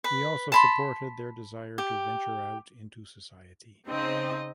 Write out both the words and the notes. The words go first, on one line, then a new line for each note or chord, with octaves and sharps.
He also supported their desire to venture out into society.
B4
A5 B5 C6
G4
C#3 C4 D#4 D#5